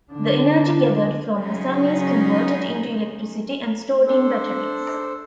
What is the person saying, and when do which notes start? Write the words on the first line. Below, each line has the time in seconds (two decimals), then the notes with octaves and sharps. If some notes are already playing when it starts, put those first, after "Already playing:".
The energy gathered from the sun is converted into electricity and stored in batteries.
0.12 D3 D4
1.39 C#3 F#3 C#4 D#4 G#4
4.06 D4 A4 C5